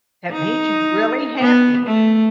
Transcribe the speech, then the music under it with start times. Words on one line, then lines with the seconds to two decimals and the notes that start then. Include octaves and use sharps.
that made you really happy?
0.31 D#4
1.41 B3
1.86 A3